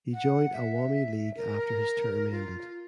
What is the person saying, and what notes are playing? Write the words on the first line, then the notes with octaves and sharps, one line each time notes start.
He joined Awami League after his term ended.
F#5
E5
A#4
F4